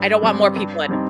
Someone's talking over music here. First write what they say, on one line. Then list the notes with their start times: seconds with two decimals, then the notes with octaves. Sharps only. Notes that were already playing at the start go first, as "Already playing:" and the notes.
I don't want more people in
Already playing: G2
0.23 G3 C4
0.56 G2
0.89 G3 C4 D#4